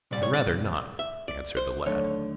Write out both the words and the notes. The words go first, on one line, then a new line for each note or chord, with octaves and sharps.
"I had rather not," answered the lad.
C2 A#2 G3 D5
C#5
D5
E5
D5
C5
D#2 D3 F#3 A3 C#5